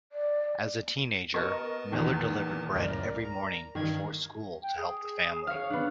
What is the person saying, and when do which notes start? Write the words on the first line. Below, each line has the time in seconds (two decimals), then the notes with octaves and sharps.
As a teenager, Miller delivered bread every morning before school to help the family.
0.12 D5
1.34 B3 A#4 D#5 A5 C#6
1.92 E2 A#2 D#3
2.75 C#2 F#2 A2 A#4 D5
3.25 A#5
3.75 G2 D#3 G#6
4.62 G5
4.77 G#4
5.47 C#5 F5
5.70 B3 D4